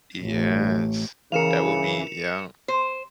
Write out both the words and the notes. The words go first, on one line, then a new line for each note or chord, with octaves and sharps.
Yes, that would be yeah.
A1
C#3 E3 A#4 F5 C#7 E7 F7
C5